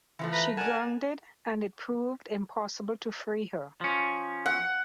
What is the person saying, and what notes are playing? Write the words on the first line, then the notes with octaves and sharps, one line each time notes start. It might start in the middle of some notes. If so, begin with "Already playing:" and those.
She grounded and it proved impossible to free her.
E3 F3 A3
B4 A#5 B5
A#4 D5 F#5 G#5 A5
F3 C#4
F#5